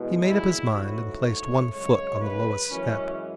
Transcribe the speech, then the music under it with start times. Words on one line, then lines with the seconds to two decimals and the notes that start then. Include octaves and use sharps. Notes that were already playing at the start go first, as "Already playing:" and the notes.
He made up his mind, and placed one foot on the lowest step.
Already playing: E2 B2 G#3
0.25 E4
0.73 A1 G#2 F#3 A3 F#4
1.23 C#5
1.72 F#2 C#3 G#3 C#5
2.22 B4
2.71 F#2 E3 G#3 C#4